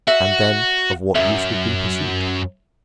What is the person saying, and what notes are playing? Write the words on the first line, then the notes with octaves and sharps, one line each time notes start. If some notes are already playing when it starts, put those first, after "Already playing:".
And then of what use would be pursuit?
F#4 E5
B1 F#2 E5